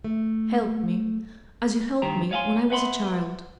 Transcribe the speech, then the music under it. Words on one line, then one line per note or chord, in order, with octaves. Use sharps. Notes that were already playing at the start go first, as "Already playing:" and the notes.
Help me, as you helped me when I was a child.
A3
G2 D#3 G4 C5 A#5
C#5 D#5 F5 F#5 G#5 C6
B4 E5 F#5 G5 B5 C6